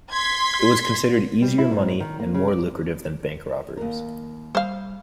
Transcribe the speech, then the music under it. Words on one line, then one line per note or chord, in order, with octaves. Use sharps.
It was considered easier money and more lucrative than bank robberies.
C6 G#6 B6
G3
E4
G#2
D#3
A#3
C#3
D5
D#2 A#4
G3 C5 F5